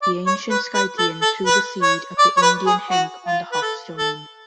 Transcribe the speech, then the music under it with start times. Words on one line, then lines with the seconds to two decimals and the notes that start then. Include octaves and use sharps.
The ancient Scythian threw the seed of the Indian hemp on the hot stones.
0.02 D5
0.27 C#5
0.50 B4
0.74 B4
0.98 A4
1.22 A4
1.46 B4
1.82 C#5
2.19 D5
2.37 C#5
2.42 B4
2.66 G#4
2.90 F#4
3.27 F4
3.52 B4
3.62 A4
3.98 A4